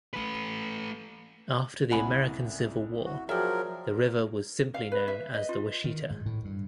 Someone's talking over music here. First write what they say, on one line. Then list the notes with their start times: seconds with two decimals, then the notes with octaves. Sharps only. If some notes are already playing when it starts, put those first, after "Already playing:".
After the American Civil War, the river was simply known as the Washita.
0.14 A3 B4
1.91 F#1 C2 A2 F#5 G#5 B5
3.05 F#4
3.29 F3 F#3 F#4 G#4 A#4 D5 E5 G5
4.74 F5
4.92 B4
5.08 E5
5.34 D#5
5.49 F4
5.84 D#3
6.11 G#2
6.26 A2
6.45 G2